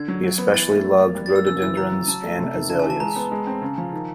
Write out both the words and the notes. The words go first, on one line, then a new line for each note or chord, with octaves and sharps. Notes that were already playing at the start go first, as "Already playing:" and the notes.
He especially loved rhododendrons and azaleas.
Already playing: D3 G#6
F#3
F#3
B3
E3 A6
A3
F#3
A#3
G3
A6
A#3 E6
C#3 E6
E3 E6
C#3 A#5
F#3
F#3 A5
A3
C3
D#3
C#3 A5
G#5
E3
A5
G#3 A#5
B3
G#3
C4
C#3
F3
D#3